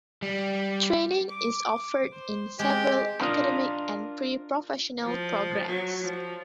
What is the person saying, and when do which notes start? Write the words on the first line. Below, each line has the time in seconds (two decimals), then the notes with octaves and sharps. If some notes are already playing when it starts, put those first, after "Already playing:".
Training is offered in several academic and pre-professional programs.
0.23 G3
1.28 D6
2.11 C5
2.59 G#3 C4 G4 D6
3.21 D4 F4 A#4 D#5
5.04 F3
5.67 F#3
6.02 F3